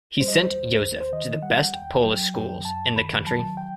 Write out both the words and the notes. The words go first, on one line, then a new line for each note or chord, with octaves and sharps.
He sent Yosef to the best Polish schools in the country.
G3 C5
D#5
C5
D#2
D#2
C5
D#3 D#5
G3 F#5
D#2 G5
F#3 G5
F#2 G5
F#2 A5
D#3 B5
F#3 A5
G5